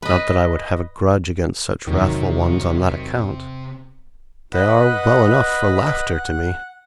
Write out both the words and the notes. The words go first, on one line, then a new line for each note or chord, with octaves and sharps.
Not that I would have a grudge against such wrathful ones on that account: they are well enough for laughter to me!
B4 D#5
E2 C3 D#3 F#3
B4 D#5 F#5 B5
F#5